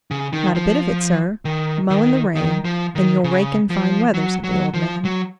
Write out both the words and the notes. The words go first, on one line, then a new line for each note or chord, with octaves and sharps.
"Not a bit of it, sir; mow in the rain, and you'll rake in fine weather!" said the old man.
C#3
D#3
F3
D#3
D#3
D#3
F3
D#3
C#3
F3
F#3
F#3
F3
F#3